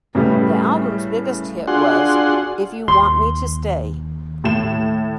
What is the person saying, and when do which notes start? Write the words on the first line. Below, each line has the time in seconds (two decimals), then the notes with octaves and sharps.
The album's biggest hit was "If You Want Me to Stay".
0.15 A2 C#3 G3 A3 B3
1.67 D4 F4 F#4 G#4 F#5 C6
2.88 D#2 C6
4.44 A2 E7